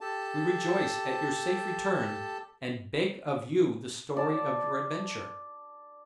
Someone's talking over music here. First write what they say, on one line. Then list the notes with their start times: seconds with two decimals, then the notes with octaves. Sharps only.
"We rejoice at your safe return and beg of you the story of your adventure."
0.01 G4 A4 A5
4.17 D5 A5